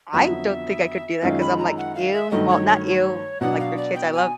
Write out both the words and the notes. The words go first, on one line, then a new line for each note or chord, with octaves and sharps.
I don't think I could do that 'cause I'm like, "Ew." Well, not ew. Like, they're kids, I love
F2 D3 F#3 B3 E5
F#2 D#3 G#3 C#4 F4 F5
B5
A#5
F#5
F5
E5
G2 D#3 F#3 A3 D#5
C#5
C#5
C#5
B2 F#3 B3 D4 F#5
F5
D5
G5
G#5